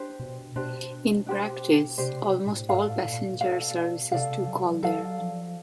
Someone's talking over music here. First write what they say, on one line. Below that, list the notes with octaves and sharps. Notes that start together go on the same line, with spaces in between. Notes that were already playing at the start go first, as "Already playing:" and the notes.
In practice, almost all passenger services do call there.
Already playing: D4 G4 C5
B2
B2 D4 G4 C5
D4 G4 C5
C3 D4 G4 C5
B2
A2
G#2 A4 D5 F5
A2
A#2
B2
A4 D5 F5
C3 A4 D5 F5
F#3
F#3 A4 D5 F5
F3